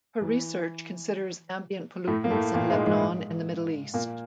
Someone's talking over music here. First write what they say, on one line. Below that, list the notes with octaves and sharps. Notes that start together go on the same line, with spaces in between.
Her research considers ambient pollutants in Lebanon and the Middle East.
E3
A2 A3
A#3
A2 A3
A#2 A#3
G#2 G#3
G#2 G#3
A#2 A#3